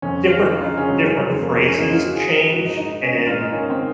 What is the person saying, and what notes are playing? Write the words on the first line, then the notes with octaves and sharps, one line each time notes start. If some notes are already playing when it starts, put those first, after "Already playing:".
different ph different phrases change and,
F2 C#4
C#3 F4
C#3 D#4
F4
D#4
C#3 C#4
F#3
C#3 G#3
F#3
F2 G#3
A#3
C#3 A#3
C#4
C#3 D#4
F4
D#3 F#4
G#4
D#3 A#4
G#2 F#4
D#4
G#2 D#4
D#4
D#3 C#4
D#4
G#2 F4
D#4
D#3 C#4
C4
D#3